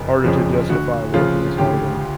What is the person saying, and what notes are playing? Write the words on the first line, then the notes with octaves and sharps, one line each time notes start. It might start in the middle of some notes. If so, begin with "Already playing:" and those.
harder to justify working as hard in
Already playing: F#1 F2 C#3
F2 C#3 F3
D2 F#4
C#3 F3 F4
D2 G4